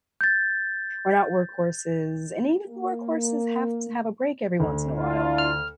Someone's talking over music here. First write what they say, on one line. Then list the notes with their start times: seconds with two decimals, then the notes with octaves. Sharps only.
We're not workhorses, and even workhorses have to have a break every once in a while.
0.21 G6 A6
2.67 A#3
4.60 D2
4.98 D4 E4 F4
5.38 F6